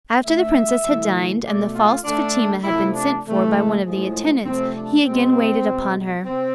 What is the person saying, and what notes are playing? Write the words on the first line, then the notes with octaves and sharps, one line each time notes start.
After the princess had dined, and the false Fatima had been sent for by one of the attendants, he again waited upon her.
D3 A3 E5
C3 E3 A3
B2 A3 D5
F4
D3 A3 D4
C3 F3 A3 E4
D4
C3 E3 A3
A2 F3 G#3
C3 F3 A3 C4
D4
B2 G#3 C4
B2 G#3
C3 C4